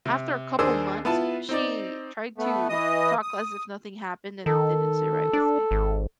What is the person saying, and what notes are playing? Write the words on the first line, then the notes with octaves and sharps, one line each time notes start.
after a couple months, she tried to talk as if nothing happened and didn't sit right with me.
C3
D#2 D4 G#4 A#4 C5 E6
B3 E4 F4 A5 B5
C4 D#4 D5
A3 B3
E3 D#5 D#6
D#6
D#3 A4
D4
G#1